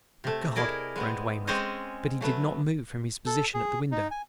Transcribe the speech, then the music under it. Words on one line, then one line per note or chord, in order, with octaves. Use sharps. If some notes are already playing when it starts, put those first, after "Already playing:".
"My God!" groaned Weymouth--but he did not move from his position at the window.
C3 A3
E4 G#4 A#4 D5 D#5
G#3 B3 C4
G#3 C4 C#4 C5 C#5 D#5
F#3 A3 B3
A4
G#4
D#4
G#5